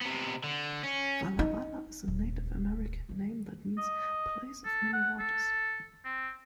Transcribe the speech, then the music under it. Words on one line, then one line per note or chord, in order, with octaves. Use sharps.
Walla Walla is a Native American name that means "Place of Many Waters".
C3 B3
D3
C#4
D#4
D#1 C#2
F2 D#3
D#5
A4
F#5
A4
C4